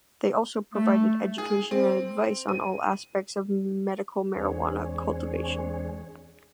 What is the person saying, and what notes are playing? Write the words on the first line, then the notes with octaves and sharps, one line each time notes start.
They also provided education and advice on all aspects of medical marijuana cultivation.
A3
G#4
C4
D#7
E2 G#3 C4 D4 G#4 C#5